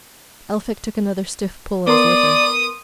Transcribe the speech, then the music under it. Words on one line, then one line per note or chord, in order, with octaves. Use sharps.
Elphick took another stiff pull at his liquor.
B3 A#4 D5 C6 D#6